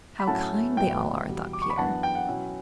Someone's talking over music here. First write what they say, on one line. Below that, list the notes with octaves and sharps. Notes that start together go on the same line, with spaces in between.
"How kind they all are," thought Pierre.
B5
A2 F#3 A3 C#4 E4 F#5 A5
A2 F#3 B3 E4 G5
E2 B2 G3
D6
C#6
B5
F#2 E3 B3 D4 F#5 A5
G5
F#5
B2 F#3 C#4 E4